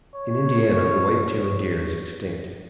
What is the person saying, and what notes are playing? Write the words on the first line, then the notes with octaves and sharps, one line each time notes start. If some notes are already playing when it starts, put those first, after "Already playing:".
In Indiana the white-tailed deer is extinct.
C#5